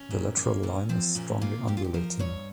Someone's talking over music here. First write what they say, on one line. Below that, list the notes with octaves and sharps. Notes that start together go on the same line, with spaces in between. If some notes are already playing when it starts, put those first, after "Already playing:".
The lateral line is strongly undulating.
Already playing: C#4
A#2
A#3
A#2 C#4
F3 C4
A#2 C#4
A#3 F4
A#2 G4
F4
G4
F3 A#4
G2 C#5